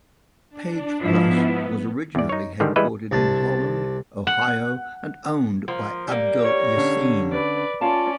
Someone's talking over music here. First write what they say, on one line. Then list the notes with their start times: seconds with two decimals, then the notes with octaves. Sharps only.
Page Plus was originally headquartered in Holland, Ohio, and owned by Abdul Yassine.
0.49 D4
1.01 G#2 F3 B3 E4
2.15 E2 D5
2.29 D#4 C#5
2.60 G#2 D3 D#3 G3
2.76 E3 G3 G#3 B4 D#5 E5
3.12 C2 D4 A5
4.27 F#5
5.68 F3 A#3
6.08 G3 A#3
6.43 C#5
6.77 D3 C#4
7.32 B4 D5
7.81 C#4 F4 D5 F5 A5